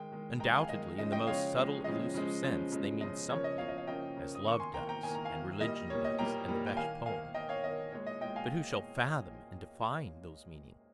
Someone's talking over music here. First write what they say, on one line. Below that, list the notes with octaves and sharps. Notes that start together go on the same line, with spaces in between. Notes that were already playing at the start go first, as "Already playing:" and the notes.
Undoubtedly in the most subtle-elusive sense they mean something--as love does, and religion does, and the best poem;--but who shall fathom and define those meanings?
Already playing: D#3 G#3 G5
D#3 G#3
D#3 G#3 G5 A#5
F5 G#5
D#3 G#3 D#5
C#3 F3 G#3 D#5
D#5 G5
C#3 F3 G#3 C#5 F5
C#3 F3 G#3
C#3 F3 G#3 D#5
C#3 F3 G#3
C#3 F3 G#3
C#3 F3 G#3
C#3 F3 G#3 D#5
C#3 F3 A#3 C#5
D#5
C#3 F3 A#3 C#5 F5
D#5
C#5 F5
C#3 F3 A#3 D#5 G5
C#3 F3 A#3
D#6
D#3 A#3 C#6
G#5 C6
D#3 A#3 G5 A#5
G5 A#5
D#3 A#3 G#5
A#5
F5 G#5
D#3 A#3
A#2 G3 A#3 D#5
A#2 G3 A#3 C#5
D#5
A#2 G3 A#3 G5 A#5
A#2 G3 A#3
G5
D#3 A#3 F5 G#5
D#3 A#3 F5 G#5
D#3 A#3 D#5 G5
C#5 F5
D#3 A#3 D#5
A#2 G#3 C#5
D#5
A#2 G#3 D#5 G5
F5 G#5